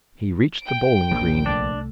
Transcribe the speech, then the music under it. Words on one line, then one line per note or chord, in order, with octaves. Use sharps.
He reached the bowling-green.
G5 D7
A#1 F3 A#3
C2 A3 D4